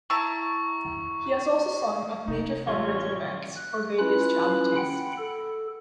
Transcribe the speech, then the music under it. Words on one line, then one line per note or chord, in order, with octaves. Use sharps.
He has also sung at major fund-raising events for various charities.
E4 A5 A#5 C#6
C3 D#4
A1 G3 A3 C#4 F4 C#5 C6 C#6
F#6
C#4 E4 F4 B4 B5 F#6
F#5 G5 B5
A4